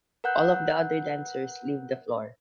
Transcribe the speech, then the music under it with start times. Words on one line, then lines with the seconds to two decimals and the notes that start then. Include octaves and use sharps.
All of the other dancers leave the floor.
0.24 A#4 B4 F#5 F#6 G6